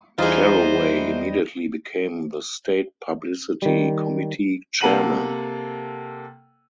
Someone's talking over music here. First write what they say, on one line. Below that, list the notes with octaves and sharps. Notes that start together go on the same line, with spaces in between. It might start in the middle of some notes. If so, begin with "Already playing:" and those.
Carraway immediately became the State Publicity Committee Chairman.
E2 E3 G3 D#4 F4 G#4 C5 D#5
D#3 G3
C3 A#3 A4 F#5 D#7 F#7